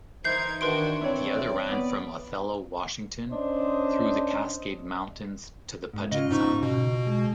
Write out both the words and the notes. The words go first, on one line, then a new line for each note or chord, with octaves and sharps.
The other ran from Othello, Washington, through the Cascade Mountains to the Puget Sound.
E3 D#4 A#4 C5 G6 G#6 C7
D#3 D4 F#4 B4 C6 D7
C4 E4 C#5 D5
B3
C#4 D4 C5 D#5
G#2
C#3 F4 D#5
G#2 D#4 C#6
B2
G#3